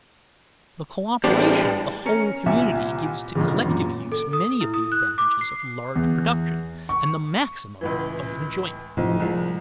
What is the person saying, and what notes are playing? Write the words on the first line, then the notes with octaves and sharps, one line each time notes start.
The cooperation of the whole community gives to collective use many of the advantages of large production, and the maximum of enjoyment.
A1 G3 G#3 B3 D4 G4 C5
C#4 A#4 C#7
C2 A#2 E5 G#5
B1 G2 A#2 C#3
F#2 A#2
A4
D#6
E4
D#6
F#6
D6
C7
E2
C#6
C#2 A2 E3
B1 A2 C3 F3
C2 F3 G#3